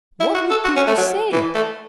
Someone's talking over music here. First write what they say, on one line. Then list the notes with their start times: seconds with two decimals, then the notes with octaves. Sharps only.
What would people say?
0.20 E4
0.35 F#4
0.50 A4
0.64 F#4
0.76 C#4
0.87 A3
0.98 F#3
1.32 E3
1.54 A3